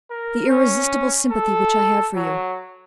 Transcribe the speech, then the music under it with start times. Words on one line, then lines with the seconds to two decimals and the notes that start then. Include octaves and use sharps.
"The irresistible sympathy which I have for you."
0.10 A#4
0.49 C#4
1.31 A4
2.16 F#3